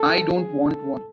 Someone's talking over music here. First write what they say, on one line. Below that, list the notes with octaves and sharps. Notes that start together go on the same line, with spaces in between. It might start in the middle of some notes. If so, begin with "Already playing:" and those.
I don't want one.
Already playing: A4
G#4
A4